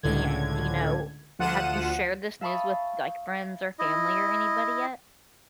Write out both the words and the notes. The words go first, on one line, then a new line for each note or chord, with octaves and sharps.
And, you know, have you shared this news with, like, friends or family or anybody yet?
C#2 A2 D3 G#6
D2 F3 F4 F#5 D#7 E7
E5 F5 A5 B5 C#6 D#6
E4 D#5